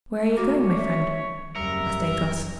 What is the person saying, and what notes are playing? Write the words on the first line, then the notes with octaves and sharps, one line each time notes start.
"Where are you going, my friend?" asked Athos.
A#3 F#4
C#5
E5
F#1 G3 A#4 E5 C#7